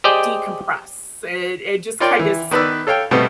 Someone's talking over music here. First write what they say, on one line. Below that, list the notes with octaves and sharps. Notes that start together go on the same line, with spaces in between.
decompress. It it just kind of, s
G4 G#4 C5 D5 D#5 G5
F4 A#4 C#5 D5 G5 C6
E3
D#3 B3 B4 D5 E6
A4 C#5 F5 G5
B2 G3 A3 B3 C4